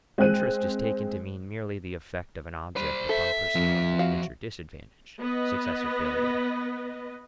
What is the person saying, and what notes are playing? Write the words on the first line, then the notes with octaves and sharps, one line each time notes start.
Interest is taken to mean merely the effect of an object upon personal advantage or disadvantage, success or failure.
G#3 C4 C5 F#6 D#7
G3 C5 B5
A4 E5
F2 F3 C4
F#4 F5
B3 B4 D#5